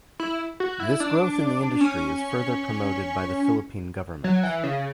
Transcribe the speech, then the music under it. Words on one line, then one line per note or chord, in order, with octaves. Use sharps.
This growth in the industry is further promoted by the Philippine government.
E4
F#4
E4
D4
C#4
F#3
E3
C#3